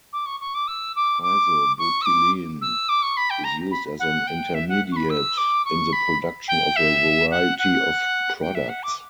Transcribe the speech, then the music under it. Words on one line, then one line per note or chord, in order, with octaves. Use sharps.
Isobutylene is used as an intermediate in the production of a variety of products.
D6
C#6
C#6
D6
E6
D6
D6
C#6
E6
D6
E6
D6
C#6
B5
G5
A#5
B5
F#5
G5
E5
F#5
C#6
B5
E6
D6
C#6
B5
G5
E5
F#5
F#5
G5
E5
F#5
D6